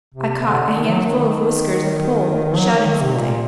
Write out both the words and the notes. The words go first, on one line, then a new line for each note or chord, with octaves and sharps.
I caught a handful of whiskers and pulled, shouting something.
C3
C3
D3
D#3
F#3
D#3
D#3
F#3
D#3
D#3
C3
A#2